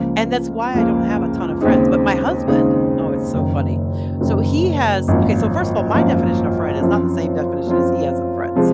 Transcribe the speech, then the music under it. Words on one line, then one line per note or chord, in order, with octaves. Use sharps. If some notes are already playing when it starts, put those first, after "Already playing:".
and that's why I don't have a ton of friends, but my husband oh, it's so funny. So, he has okay, so, first of all, my definition of friend is not the same definition as he has of friends
Already playing: C#2 C#3 F3 A#3
C#2 C#3 F3 A#3
D#2 C#3 G#3 C4 D#4
D#2 C#3 G#3 C4 D#4
F#1 F#2 D#3
F#1 F#2 D#3
G#1 F#2 F3 A#3
G#1 F#2 F3 A#3
F#2 F3 C4 F4
F#2 F3 C4 F4
C3 F3 G#3